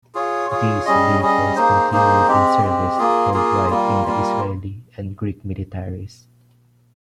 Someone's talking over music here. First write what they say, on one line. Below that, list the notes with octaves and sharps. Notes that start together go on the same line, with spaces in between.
These vehicles continued in service worldwide in the Israeli and Greek militaries.
F4 G#4 C#5
F4 G#4 C#5
G3 C#4 G#4 D#5
G3 C#4 G#4 D#5
A#3 D#4 G#4 C5
A#3 D#4 G#4 C5
G#3 C4 G4
G#3 C4 G4
A#3 F4 G#4
A#3 F4 G#4
G3 A#3 F4
G3 A#3 F4